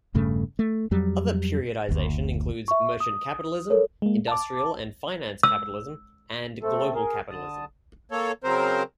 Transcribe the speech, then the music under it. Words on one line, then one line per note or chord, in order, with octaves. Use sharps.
Another periodization includes merchant capitalism, industrial and finance capitalism, and global capitalism.
E1 G2 C#3 A3
A3
F2 F#3 G3
F#1 D2
E5 C#6
D#6
A4 A#4 C#5
G#3 A#3
A5 D6
E6
A3 C4 A4
G#4 A#4
D3 A5 D#6
A#3 A4 C#5
C#3 F#3 C4 A#4 C5